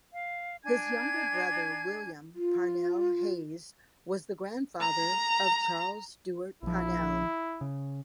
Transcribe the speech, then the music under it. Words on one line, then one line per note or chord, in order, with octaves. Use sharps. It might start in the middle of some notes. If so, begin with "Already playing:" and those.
His younger brother William Parnell-Hayes was the grandfather of Charles Stewart Parnell.
F5
D4 G#5 G#6
F4
A#5
A#1 F3 E4
C#3